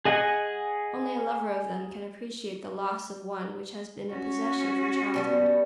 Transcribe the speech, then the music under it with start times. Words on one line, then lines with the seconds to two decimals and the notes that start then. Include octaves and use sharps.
Only a lover of them can appreciate the loss of one which has been a possession from childhood.
0.05 G#4 D#5 F#5 G#5
4.10 C#4 F#4
5.14 B2 G3 B3